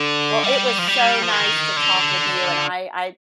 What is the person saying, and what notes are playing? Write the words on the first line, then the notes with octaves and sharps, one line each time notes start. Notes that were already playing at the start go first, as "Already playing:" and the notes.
Well, it was so nice to talk with you, and I I
Already playing: D3
G3
F3
G3
F3
D#3
D3